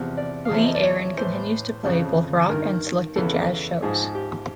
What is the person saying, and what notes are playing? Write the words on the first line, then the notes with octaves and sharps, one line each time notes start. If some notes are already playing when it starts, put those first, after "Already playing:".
Lee Aaron continues to play both rock and selected jazz shows.
Already playing: E2 C3 F3
D5
F5
E2 C#3 F3 E5
D#5
D5
C#5
A2 E3 C5
F2 C#3 F3
G2 D#3 A#4
E2 C#3 E3 A4
G#2 F3 G#4
G4